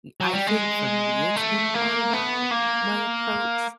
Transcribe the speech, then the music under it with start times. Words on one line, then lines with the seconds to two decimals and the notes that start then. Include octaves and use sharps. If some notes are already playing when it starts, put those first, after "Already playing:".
y I think for me, it's been a lot about my approach,
0.21 F#3
0.33 G3
0.47 G#3
1.36 A3
1.75 A#3
2.13 B3
2.51 A#3